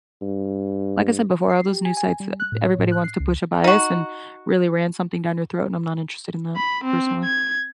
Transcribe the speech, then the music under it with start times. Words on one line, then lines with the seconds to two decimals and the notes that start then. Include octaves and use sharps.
Like I said before, all those news sites, uh, everybody wants to push a bias and really ram something down your throat, and I'm not interested in that personally.
0.22 G2
1.50 C7
1.68 G4
1.85 G#5
1.97 G#5
2.20 G3
2.40 F#6
2.52 A2
2.64 C#5
2.79 A2
2.92 F#6
3.04 C7
3.20 C#2
3.64 D#4 F#4
6.56 B5
6.84 C4
7.24 G#6